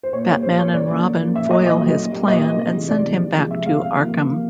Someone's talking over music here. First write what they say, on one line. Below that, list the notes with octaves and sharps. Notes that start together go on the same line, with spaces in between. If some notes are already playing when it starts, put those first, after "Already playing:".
Batman and Robin foil his plan and send him back to Arkham.
C5
A#2 C#5
G3 A#3 C#5
A#2 C5
G3 A#3 C#5
C#3 D5
F3 A#3
C#3
F3 A#3
A#2 E5
F#3 A3 D#5
A#2 D#5
F#3 A3
A#2
G3 A#3
A#2 D#5
G3 A#3
C3
E3 G#3
C3 D5
E3 G#3
C3
F3 G#3
C3 E5
F3 G#3 F5
C3 F5
F3 A#3
C3
F3 A#3